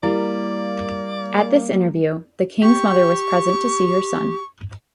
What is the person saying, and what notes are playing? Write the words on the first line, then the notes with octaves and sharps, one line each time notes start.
At this interview, the king's mother was present to see her son.
G3 A#3 E4 D5
G4 C#6